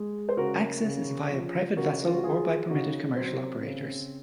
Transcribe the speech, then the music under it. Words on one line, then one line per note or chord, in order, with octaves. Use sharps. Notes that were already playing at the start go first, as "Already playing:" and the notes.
Access is via private vessel or by permitted commercial operators.
Already playing: G#3
C5
C#3 F#4 A#4
C#3
F3
C#3 F#4 A#4
F4
F#4
F#3 F4 G#4
C#3 D#4 F#4
F#3 C4
C#3